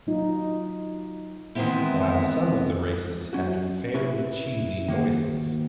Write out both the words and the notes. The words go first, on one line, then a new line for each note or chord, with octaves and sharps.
While some of the races had fairly cheesy voices.
F#3 D#4 F4
D#3 E3 G#3 B3 C4 E4
F#3 C#4 F#4
C#4 E4 G#4 A#4 B4
D#3 A#3 F#4 C5